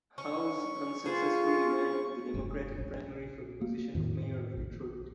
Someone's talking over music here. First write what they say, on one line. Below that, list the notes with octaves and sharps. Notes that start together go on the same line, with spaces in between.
Howze unsuccessfully ran in the Democratic primary for the position of mayor of Detroit.
C#4 C#6
B3 F4 G#4 C5
F1 G2
A#1
A#3
F2 A2 D#3
A#1